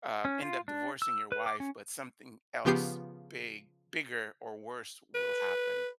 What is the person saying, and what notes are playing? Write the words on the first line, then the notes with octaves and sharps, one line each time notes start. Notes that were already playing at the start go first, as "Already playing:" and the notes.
um, end up divorcing your wife, but something else big bigger, or worse will happen.
C#4
F4
D4
E6
B4
D6
C#4
C#3 F3 B3 G4 G6 C7
B4